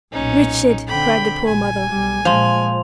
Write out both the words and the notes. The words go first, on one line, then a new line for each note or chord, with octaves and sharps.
"Richard!" cried the poor mother.
B1 A#2 C#4 D#4
D3 C4 G5 B5
A#1 G#5
B1 G3
A#2 F3 G#3 C6 F7